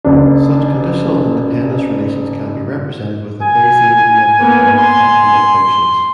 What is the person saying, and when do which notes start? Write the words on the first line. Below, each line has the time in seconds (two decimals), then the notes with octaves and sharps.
Such conditional independence relations can be represented with a Bayesian network or copula functions.
0.05 F#1 D4
3.42 G#5
4.39 A#3 B3
4.79 C6